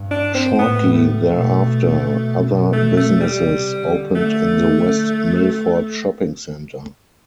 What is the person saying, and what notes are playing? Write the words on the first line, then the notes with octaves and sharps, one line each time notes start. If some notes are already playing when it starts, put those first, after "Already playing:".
Shortly thereafter, other businesses opened in the West Milford Shopping Center.
Already playing: G2
D4
C4
A2 B3
A3
B2
B2
A3
A3
G3
C3
D3
A3